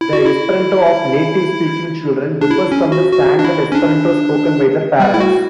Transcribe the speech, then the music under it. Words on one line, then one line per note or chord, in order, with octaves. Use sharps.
The Esperanto of native-speaking children differs from the standard Esperanto spoken by their parents.
E4
F#4
E4
D4
E4
C#4
F#4
F#4
D4
E4
C#4
D4
G3
E4
F#4